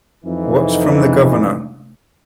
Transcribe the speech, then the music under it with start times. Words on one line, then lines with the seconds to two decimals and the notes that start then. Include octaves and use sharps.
What's from the Governor?
0.25 F2 E3 D#4